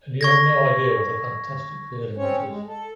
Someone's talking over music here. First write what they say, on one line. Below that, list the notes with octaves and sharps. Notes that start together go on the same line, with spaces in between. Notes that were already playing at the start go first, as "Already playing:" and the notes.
And you have no idea what a fantastic feeling that is!
C#6 G#6 A#6
C4 C#4 C#5
G#3
A4